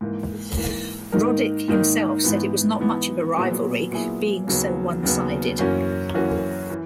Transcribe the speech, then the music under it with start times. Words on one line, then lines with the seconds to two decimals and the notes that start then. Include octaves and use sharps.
Roddick himself said it was not much of a rivalry, being so one-sided.
0.01 G#2 E3 A#3
0.57 G#2 E3 A#3
1.12 G#2 D#3 A#3 D#4 A#4
1.68 G#2 D#3 A#3 D#4 A#4
2.24 G#2 E3 B3
2.80 G#2 E3 B3
3.36 A#2 F#3 B3 E4 G#4
3.91 A#2 F#3 B3 E4 G#4
4.47 D#2 C#3 F#3 B3
5.03 D#2 C#3 F#3 B3
5.59 F#2 E3 A#3 C#4 F#4
6.14 F#2 E3 A#3 C#4 F#4
6.70 E3